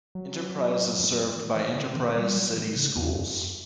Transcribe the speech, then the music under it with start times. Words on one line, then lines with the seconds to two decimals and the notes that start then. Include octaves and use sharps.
Enterprise is served by Enterprise City Schools.
0.15 F#3
1.36 E3
1.55 E3
1.76 D3
1.96 E3
2.16 G3
2.36 F#3
2.57 E3
2.76 C#3
2.96 E2
3.16 F#2